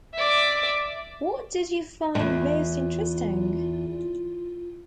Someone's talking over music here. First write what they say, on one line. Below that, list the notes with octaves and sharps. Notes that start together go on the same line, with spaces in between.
What did you find most interesting?
D5 E5
E2 G#2 F4